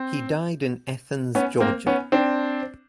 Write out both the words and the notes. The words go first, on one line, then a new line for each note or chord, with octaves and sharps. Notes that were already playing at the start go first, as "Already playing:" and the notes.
He died in Athens, Georgia.
Already playing: C4
B3 C#4
A#3 C4
B3 C#4
C4 D4